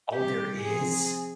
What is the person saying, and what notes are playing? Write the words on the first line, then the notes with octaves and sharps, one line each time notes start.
Oh, there is?
C3 D#3 G3 A#3 G4
C3 F3 C4 G#4